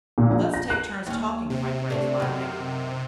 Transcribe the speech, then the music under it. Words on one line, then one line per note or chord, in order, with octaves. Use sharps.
"Let's take turns talking," cried Grace, laughing.
A#2
A#1
A#6
F#6
D#2 C#4
C3
D2 A3 D4
F#2 D#3